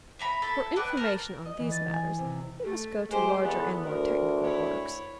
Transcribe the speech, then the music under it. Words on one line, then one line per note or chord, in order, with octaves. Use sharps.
For information on these matters they must go to larger and more technical works.
E5 A#5 B5
E4 A4
B3 D5 F#5 G5
A#4 A5
D#5
E3
A6
G#5
C3
A3
G#3 G4 C5
E2 B3 A4
D2 A#4
E4 C#5